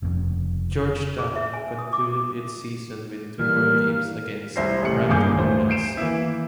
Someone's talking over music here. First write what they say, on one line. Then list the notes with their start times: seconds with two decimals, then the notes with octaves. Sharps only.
Georgetown concluded its season with two more games against ranked opponents.
0.02 F1 F2 G#2 C#3
1.19 G#4
1.36 E5
1.54 G#5
1.79 D#6
1.93 D6
3.39 E3 G3 A#3 F6
4.56 C2 E4 C5 A#6 C7
4.82 A1 C3 A3 C#7 F#7
5.09 G1 G2 A#3 G#4 D6 G6
5.38 D2 E3 C5
5.69 G6 C7 D7 E7
5.97 E3 A#3 E4